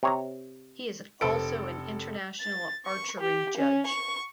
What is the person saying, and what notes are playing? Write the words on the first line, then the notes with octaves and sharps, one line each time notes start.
He is also an international archery judge.
C3 C#5 A#5
F1 A4 B4 C5 D7
A6
C#6
G4
C#4
C#6